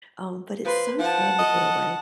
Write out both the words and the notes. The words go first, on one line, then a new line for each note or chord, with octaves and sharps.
Um, but it's so fun to get away.
F3 B4 C6
F3 F#5 A5
D#5